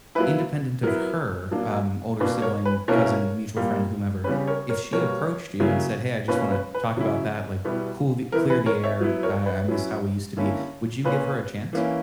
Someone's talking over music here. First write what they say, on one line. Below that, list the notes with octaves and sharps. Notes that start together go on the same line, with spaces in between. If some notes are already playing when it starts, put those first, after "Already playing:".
independent of her, um, older sibling, cousin, mutual friend, whomever, if she approached you and said, "Hey, I just wanna talk about that, like, cool the clear the air, uh, I I miss how we used to be." Would you give her a chance?
F#3 A#3 E4 B4
F#3 B3 E4 A#4
F#3 A#3 D4
B2 A#3 D4 B4
A#4 C#5
B4
B2 A#3 C#4 E4 A#4 C#5
A#2 G3 A#3
C#3 G3 C#4 B4
A#4 C#5
A#4 C#5
B2 G3 A#3 A#4 C#5
C#3 F#3 A#3 C#4 E4
B2 A#3 C#4 B4
B4
B4
C#3 F#3 C#4 E4
B2 G3 B3 E4
E3 B3 E4 A#4
B4
A#4 C#5
C#5 E5
F#3 B3 E4
A#4 C#5
B4
F#3 C#4 E4
D3 A#3 C#4 E4
A#2 A#3 C#4 B4
E3 A#3 C#4 E4